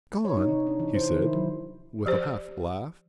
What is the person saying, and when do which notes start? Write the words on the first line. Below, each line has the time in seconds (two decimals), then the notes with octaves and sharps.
"Gone!" he said with a half laugh.
0.25 C#5
0.37 D#4
0.48 C3
0.67 D4
0.79 E3
0.95 C5
1.09 D#3
1.22 E4
1.34 F#3
2.06 F3 G4 C5